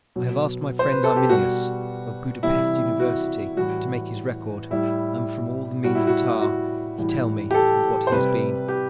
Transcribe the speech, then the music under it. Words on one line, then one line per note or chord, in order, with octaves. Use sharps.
I have asked my friend Arminius, of Buda-Pesth University, to make his record; and, from all the means that are, he tell me of what he has been.
B2 F#3
C5
B4
A4
G4
B2 G3 F#4
C3 E3 G3 E4
F#4
A2 E3 G3 F#4
A2 G3 E4
A2 G3 F#4
E4
F#4
F#4
A2 E3 G3
G4
A4
C5
C3 G3 B4
G4